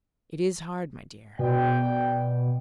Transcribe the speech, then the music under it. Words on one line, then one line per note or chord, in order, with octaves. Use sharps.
"It is hard, my dear."
B2 D5 G5